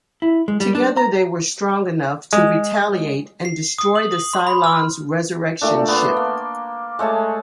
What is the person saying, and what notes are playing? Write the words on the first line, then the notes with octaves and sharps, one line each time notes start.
Together, they were strong enough to retaliate and destroy the Cylon's Resurrection Ship.
E4
G#3
G3
D4
A#5
G#3
C7
D#6
F#7
D#6
C6
B5
F6
A#2 A3 D4
B3 C6
A#3
G#3 A3 C#5 A5